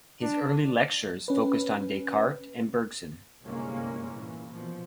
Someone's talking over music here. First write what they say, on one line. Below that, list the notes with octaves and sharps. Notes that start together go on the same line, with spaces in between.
His early lectures focused on Descartes and Bergson.
D4
C#4 B4
G1 C2 F#2 G#3 A#3 C#4
A#2 E3
B2 F3